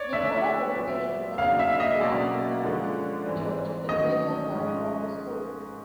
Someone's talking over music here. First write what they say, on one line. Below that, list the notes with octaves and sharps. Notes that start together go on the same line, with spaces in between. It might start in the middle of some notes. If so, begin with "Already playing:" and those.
The Board of Education selected the Black Methodist Church in Bakerton for the school.
Already playing: C#5 D5
D3 F3 A3 E5
A#2 F#3 B3
C#3 F#3 A#3 D4 F5
E5
D#5
B2 F#3 A#3 C#4 D5
D3 F3 G#3 C#4
G#2 E3 G3 C4
D#3 F#3 A3 C#4 D#5
G#2 F3 G#3 C#4